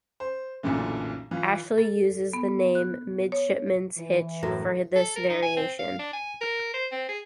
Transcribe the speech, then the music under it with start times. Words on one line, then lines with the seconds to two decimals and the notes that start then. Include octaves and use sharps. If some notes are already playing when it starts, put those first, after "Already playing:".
Ashley uses the name midshipman's hitch for this variation.
0.20 C5
0.63 B1 F#2 A#2 D3 E3 A3
1.31 E3 F4
1.78 A4
2.33 B3
2.75 F#6
3.32 C#5
3.98 E3
4.43 F#2 A2 A4 A#6
4.95 A4
5.16 A#4
5.29 D#4
5.42 G#5
5.56 C4
5.79 F5
5.99 D4
6.13 G#5
6.41 A#4
6.74 C5
6.92 C4
7.08 G#4